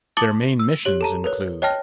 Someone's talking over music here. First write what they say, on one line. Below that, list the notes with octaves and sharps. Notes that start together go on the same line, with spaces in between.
Their main missions include.
A5 D6 D#6 A6 C#7 F#7
E6
G4 C#5 F#7
A4 A5 A#5
A#4 B4 C#5
C#5 D#5 G5 A5 F6 A#6